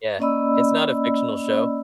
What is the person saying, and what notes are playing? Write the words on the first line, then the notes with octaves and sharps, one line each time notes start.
Yeah, it's not a fictional show.
A#3 C#4 D5 D#5 B5 E6